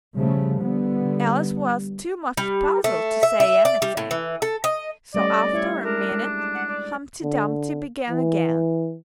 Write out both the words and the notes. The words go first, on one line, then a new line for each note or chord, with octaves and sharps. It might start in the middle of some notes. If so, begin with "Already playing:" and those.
Alice was too much puzzled to say anything, so after a minute Humpty Dumpty began again.
C#3 F3 G3 A3
D3 B3
G3
A3
E5
E5
D5
G3
A2
E3
A4
D#5
G3 A3 C#4 D5 D#5
E4 G4 C#5 E5
D4 A#4
G#3
F#5
D5
D3
E3